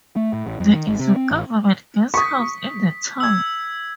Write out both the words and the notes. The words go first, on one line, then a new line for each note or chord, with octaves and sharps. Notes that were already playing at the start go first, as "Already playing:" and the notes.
There is a government guest house in the town.
A3
A2
A1
F2
D#3
G#1
C3
C4
A1
C#6 D#6 B6
E6 G#6